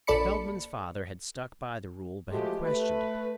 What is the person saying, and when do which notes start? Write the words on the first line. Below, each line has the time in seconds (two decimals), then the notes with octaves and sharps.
Feldman's father had stuck by the rule but had questioned it.
0.07 A#1 A4 D5 B5 C#7
2.31 F3 G#3 A3 F#4 G4
2.61 A3 B4